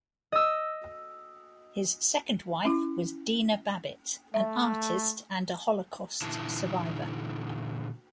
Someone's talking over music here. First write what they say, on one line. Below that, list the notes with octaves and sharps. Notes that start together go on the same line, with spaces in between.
His second wife was Dina Babbitt, an artist and a Holocaust survivor.
D#5 E6
C#4 E4
A3 E5
A#2 D3 E3 D#4 E4 A5